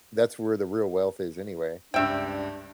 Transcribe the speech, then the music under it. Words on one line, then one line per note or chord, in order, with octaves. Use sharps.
that's where the real wealth is anyway.
C#2 G2 D4 E5 G5